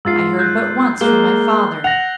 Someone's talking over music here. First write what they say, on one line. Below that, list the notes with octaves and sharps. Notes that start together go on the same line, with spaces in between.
I heard but once from my father.
G#2 F4 E6 A6 C7
F#6 G6 C7
G#3 A#3 F#6 G7
F#5 A#6 F7